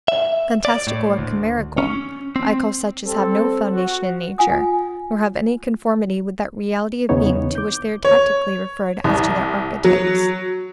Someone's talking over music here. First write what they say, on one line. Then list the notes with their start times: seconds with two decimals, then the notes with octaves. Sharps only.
FANTASTICAL or CHIMERICAL, I call such as have no foundation in nature, nor have any conformity with that reality of being to which they are tacitly referred, as to their archetypes.
0.08 E5
0.65 D5
0.87 A2
1.18 D2
1.78 C#4
2.36 C4
3.05 G3 C4 A4
3.71 F#4
4.38 F4 F#5 G#5 D#6
7.09 E2 C#3 E3 B3 D#4 C#5
7.55 D6 G6
8.05 C#5
9.04 C2
9.84 F#3